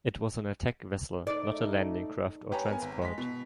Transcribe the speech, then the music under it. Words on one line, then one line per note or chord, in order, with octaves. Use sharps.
It was an attack vessel, not a landing craft or transport.
A3 D#4 D5
G4 B4 C#5 G#5 A#5
B3 A#4 G#5
G#1
G#3 B6
B2